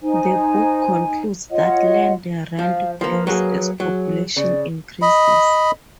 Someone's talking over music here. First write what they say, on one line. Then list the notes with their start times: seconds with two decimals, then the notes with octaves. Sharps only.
The book concludes that land rent grows as population increases.
0.01 D#4 C5 G#5
1.50 F4 C#5 D#5 F#5
2.59 F3 F5
3.01 F3 A#3 B4
3.27 F#3 A#3 G#4
3.80 F#3 G#4
4.37 C#3 D5
5.02 D#5 B5